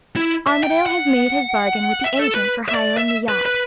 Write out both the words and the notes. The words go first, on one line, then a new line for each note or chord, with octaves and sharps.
Armadale has made his bargain with the agent for hiring the yacht.
E4
E5
G5
F#5
E5
A4
B4
E5
D5
E5
B4
B4